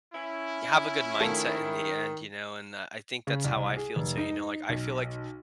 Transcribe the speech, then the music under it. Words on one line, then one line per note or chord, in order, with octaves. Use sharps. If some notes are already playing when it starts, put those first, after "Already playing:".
have a good mindset in the end, you know, and, uh, I think that's how I feel, too, you know, like, I feel like
C#4 E4
D#3 F3 A3 A4
C#3
C2
G#4
F1
D#4
B1